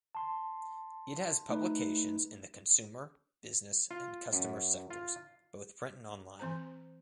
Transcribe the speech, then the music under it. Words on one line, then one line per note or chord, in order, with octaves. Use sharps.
It has publications in the consumer, business and customer sectors, both print and online.
A5 C6
A3 D#4 B4
F4
F#2
F4
E3 C4 C5 A#5